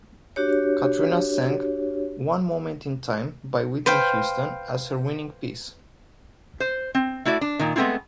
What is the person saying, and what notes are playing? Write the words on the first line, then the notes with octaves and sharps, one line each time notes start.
Katrina sang "One Moment in Time" by Whitney Houston as her winning piece.
D4 F#4 G4 C#5
B4 C5 F5 G5
C5
C4
A3 E4 F#4 D5
D4
A#2 D#3
G#3 A3 B3 C4 E4 F4